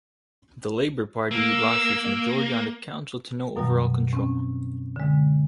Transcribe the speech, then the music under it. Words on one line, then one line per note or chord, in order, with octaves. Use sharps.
The Labour party lost its majority on the council to no overall control.
A#3 E6
F#2 B2 D#3 F#3 G3
C4 C#4
D3 G#3